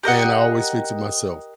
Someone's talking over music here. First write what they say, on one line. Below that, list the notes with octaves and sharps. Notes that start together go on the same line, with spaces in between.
and I always fix it myself.
G4 A#4 D#5 F#5